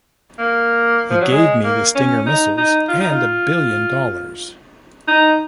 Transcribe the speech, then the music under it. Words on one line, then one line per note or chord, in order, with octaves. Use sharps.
He gave me the Stinger missiles and a billion dollars!
A#3
F3
F#3
G#3
A#3
C#4
D#4
D#4
F4
D#4
F4
D#4